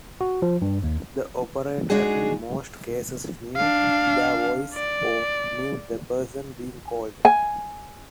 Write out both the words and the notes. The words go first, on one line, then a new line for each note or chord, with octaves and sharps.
The operator in most cases knew their voice or knew the person being called.
F#4
F3
G2
D#2
G#3 D4 D#4 F#4 G#4
D4 F5
D5
G#5